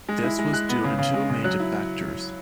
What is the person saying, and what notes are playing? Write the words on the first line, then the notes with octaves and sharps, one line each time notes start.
This was due to two major factors.
G#3
E4
G#3
G#3 F#6
B3
C#3
C#3
G#3
C#3
F#3 F#6
E4